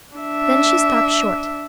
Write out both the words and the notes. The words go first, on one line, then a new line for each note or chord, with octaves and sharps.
Then she stopped short.
D4 E5